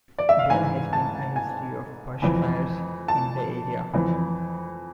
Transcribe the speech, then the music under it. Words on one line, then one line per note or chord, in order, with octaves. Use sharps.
There has been a history of bushfires in the area.
D5
E5
F5
G#2 E3 G#5
A5
G#5
F2 E3
A5
F2 E3